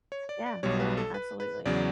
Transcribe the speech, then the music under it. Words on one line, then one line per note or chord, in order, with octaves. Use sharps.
Yeah, yeah, absolutely.
C#5
D5
D5
B1 B2 G3 C#5
B4
A4
B4
B4
E2 C#3 F#3 D5